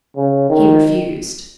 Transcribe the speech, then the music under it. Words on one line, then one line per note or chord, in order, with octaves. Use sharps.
He refused.
C#3
D#3